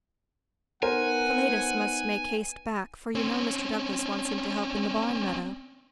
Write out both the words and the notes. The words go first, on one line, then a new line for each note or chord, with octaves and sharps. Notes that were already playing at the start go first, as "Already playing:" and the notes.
Philetus must make haste back, for you know Mr. Douglass wants him to help in the barn meadow.
B3 D#4 A#4 C5 F#5 G#5
C4 C#4